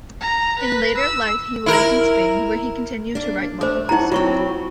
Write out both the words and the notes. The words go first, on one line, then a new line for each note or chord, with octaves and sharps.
In later life he lived in Spain, where he continued to write novels.
A#5
B4
E6
E4 A#4
A#3 D4
A3 C5 D6
F#2 D#4 E4 F#5 A#5
F#3 C4 F4 C#6